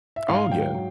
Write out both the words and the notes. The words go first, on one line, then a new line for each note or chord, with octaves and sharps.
Oh, yeah,
E5
G#2 F5
F#3 G5
F#3